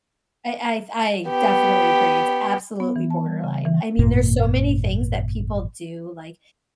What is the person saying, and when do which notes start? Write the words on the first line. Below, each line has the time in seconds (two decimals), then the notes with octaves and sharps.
I I I definitely agree, it's absolutely borderline. I mean, there's so many things that people do, like,
1.29 B3 G4
2.80 B3
2.96 E3
3.10 A5
3.26 G3
3.44 C#3
3.65 E3
3.99 G#1 F#2 A#2 A#3